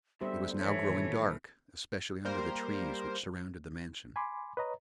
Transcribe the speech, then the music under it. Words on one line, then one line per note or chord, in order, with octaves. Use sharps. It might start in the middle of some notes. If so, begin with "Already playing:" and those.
It was now growing dark, especially under the trees which surrounded the mansion.
B2 D3 G3 G4 C5 E5
E3 A3 C#5
A#2 D#3 F#3
G3 A#3 A#4 C5
G#5 B5 C6 D6
B4 C#5 D#5 A#5